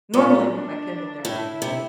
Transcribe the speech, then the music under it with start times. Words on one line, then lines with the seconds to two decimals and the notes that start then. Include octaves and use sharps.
normally put my Kindle there and read
0.14 A#2 A#3
0.50 D4
1.24 A2 E4
1.62 C3